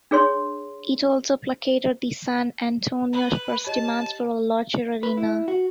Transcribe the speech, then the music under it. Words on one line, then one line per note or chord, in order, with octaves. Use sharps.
It also placated the San Antonio Spurs' demands for a larger arena.
D4 G#4 C#5 C6
B4
G4 C#5 D#5 A5
B4
E4
F#4